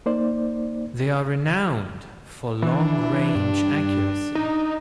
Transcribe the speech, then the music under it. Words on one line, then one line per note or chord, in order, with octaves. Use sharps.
They are renowned for long-range accuracy.
A#3 D#4 C5 D5
E3 D4
G2
D#4